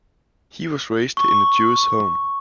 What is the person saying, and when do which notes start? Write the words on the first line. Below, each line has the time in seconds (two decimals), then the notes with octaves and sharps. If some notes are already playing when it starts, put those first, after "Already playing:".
He was raised in a Jewish home.
1.17 C#6